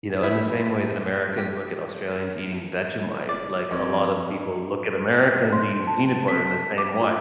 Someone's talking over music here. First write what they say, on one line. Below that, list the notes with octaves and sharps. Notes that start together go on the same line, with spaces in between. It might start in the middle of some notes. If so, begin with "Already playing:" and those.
you know, in the same way that Americans look at Australians eating Vegemite, like a lot of people look at Americans eating peanut butter in the same way.
E4
G4
D5
F2
C6
A5
B6
D6
F4